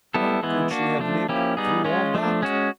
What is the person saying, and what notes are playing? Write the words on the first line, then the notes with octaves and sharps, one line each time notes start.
How could she have lived throughout all that?
G3 B3 E4 A4
E3 G#3 B3 E4
A#3 D4 F#4
F3 A3 D4
F3 A#3 C#4 E4 G4
G3 B3 D#4 G#4
G#3 C#4 F4
F3 A3 D4
G#3 C#4 F#4